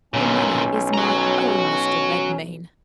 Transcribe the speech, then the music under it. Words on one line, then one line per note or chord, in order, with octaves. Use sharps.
"The money is my own, Mr. Redmain."
B1 A#2 D3 C#4
F#4 A#5